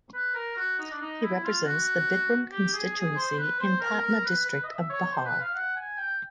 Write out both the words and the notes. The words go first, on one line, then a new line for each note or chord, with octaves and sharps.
He represents the Bikram constituency in Patna district of Bihar.
B4
A#4
F#4
D#4
D4
D#4
E4
F4
F#4
G4
G#4
G#4
C5
B4
C5
A#4
A#4
B4
B4
D#5
E5
C#5
C5
B4
F5
F#5
G#5
G5